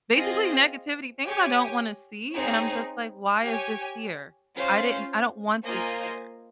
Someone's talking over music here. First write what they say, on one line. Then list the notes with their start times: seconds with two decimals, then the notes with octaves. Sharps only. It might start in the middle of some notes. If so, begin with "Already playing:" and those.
basically, negativity, things I don't wanna see, and I'm just like, why is this here? Wh I didn't I don't want this here.
0.15 C4 F4 G#4 D#5
1.25 G4 C#5 G#5
2.35 C4 D#4 G#4 C#5
3.45 G4 C#5 G#5
4.55 C#4 F4 C5 F5
5.65 A#3 F4 C5 D#5 G#5